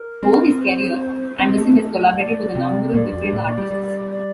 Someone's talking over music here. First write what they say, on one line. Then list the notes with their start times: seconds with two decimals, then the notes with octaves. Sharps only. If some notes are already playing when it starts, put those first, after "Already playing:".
Over his career, Anderson has collaborated with a number of different artists.
Already playing: A#4
0.23 C4
0.62 C5
1.39 C4 D#5
1.58 A3
2.16 D5
2.55 C3
2.94 A#2 D5
3.04 G2
3.13 F2
3.23 G2
3.33 A2
3.45 A#2
3.58 G3
3.71 G3
4.10 D5